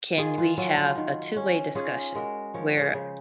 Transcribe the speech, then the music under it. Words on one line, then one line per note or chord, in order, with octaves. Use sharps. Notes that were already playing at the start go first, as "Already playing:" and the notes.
can we have a two-way discussion where
D#3 F4 G#4
F4
F#3 F4
F4
D#3
C#4
C#4 F4 G#4
G#3 F#4 A#4
F3 A#4 C#5
G#4 C5 C#5
C#3